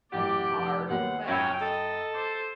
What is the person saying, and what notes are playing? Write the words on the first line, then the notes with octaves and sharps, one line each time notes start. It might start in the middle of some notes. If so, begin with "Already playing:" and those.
"Hard and fast."
A1 F#2 B3 G4 D5 D6
F1 A5
D#2 B3 C#5 F#5
F#2 F3 C#4 C#5 G5 B5 E6
A4 D#5
C5 D6